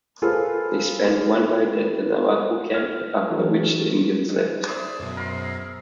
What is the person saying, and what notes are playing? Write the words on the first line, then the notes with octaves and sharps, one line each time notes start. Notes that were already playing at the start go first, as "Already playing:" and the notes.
They spent one night at the Navajo camp, after which the Indians left.
A#3 F4 G#4 A4 B4 C5
F6
E3 F#3 G#3 A3 C#4 D4
G#4 C5 D5 E5
F#2 B2
A#4 C6